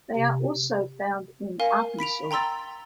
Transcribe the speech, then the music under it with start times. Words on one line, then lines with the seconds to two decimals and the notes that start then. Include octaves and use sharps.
They are also found in Arkansas.
0.16 C3
1.60 A#4 F5 G#5
1.99 B5 B6 D7 F7
2.31 G5 A#5 C6 E6 A6